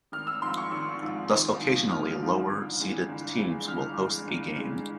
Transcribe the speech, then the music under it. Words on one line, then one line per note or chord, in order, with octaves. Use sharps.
Thus, occasionally, lower seeded teams will host a game.
G#1 F6
E6
G#2 F3 C6
C#6
G#1 E6
G#2 F3
G#1
G#2 F3
G#1 F6
G#2 F3
G1
G2 E3 G#3
G1
G2 E3 G#3
G1 F6
G2 E3 G#3
G1
G2 E3 G#3